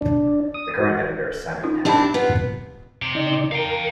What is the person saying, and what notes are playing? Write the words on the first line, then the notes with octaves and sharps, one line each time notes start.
The current editor is Simon Tennant.
D4
D#6
F#4
C#4 D#4 F4
C4 D4 E4 G4 A5 B5
B3 F4
C3 G4
C#3 D#4 D5
A#4 F5 G5